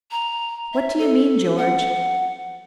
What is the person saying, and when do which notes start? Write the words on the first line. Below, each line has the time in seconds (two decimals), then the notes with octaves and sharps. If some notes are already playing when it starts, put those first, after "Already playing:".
"What do you mean, George?"
0.11 A#5
0.74 E5
0.98 A4
1.57 F#5